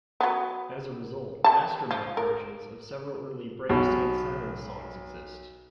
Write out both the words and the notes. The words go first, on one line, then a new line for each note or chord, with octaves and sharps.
As a result, "Astronaut Versions" of several early Brave Saint Saturn songs exist.
F#3 B3
G3 A5
F3
A#4
B1 B2